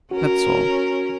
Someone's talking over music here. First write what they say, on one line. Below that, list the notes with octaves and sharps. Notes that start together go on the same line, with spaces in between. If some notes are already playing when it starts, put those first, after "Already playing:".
That's all.'
C#4 F#4 A#4